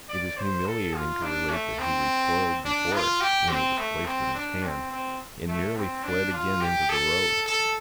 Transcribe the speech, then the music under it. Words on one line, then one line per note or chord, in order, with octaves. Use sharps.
It is humiliating to relate that he recoiled before it when it was placed in his hand, and nearly fled again into the road.
D5
C5
A4
F4
D4
A3
C4
D4
F4
G4
C4
A3
C4
D4
C4
C4
A3
C4
D4
F4
G4
A4
A4